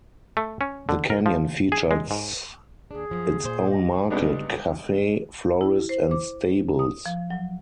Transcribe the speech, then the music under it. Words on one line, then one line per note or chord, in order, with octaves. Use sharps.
The canyon features its own market, cafe, florist and stables.
A3
C#4
D3
A#4
F3
G#4
G#3
G#2
D#2 D4 G#4
F#2 F3
A#2 C5
D#5
G2 C3 G#3 B3 D4 D#4
E4
C5
D6
D#6
F3
F#3